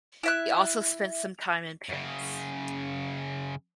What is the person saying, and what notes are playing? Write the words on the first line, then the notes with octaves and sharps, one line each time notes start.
He also spent some time in Paris.
E4 E5 F#6
F#2 C#3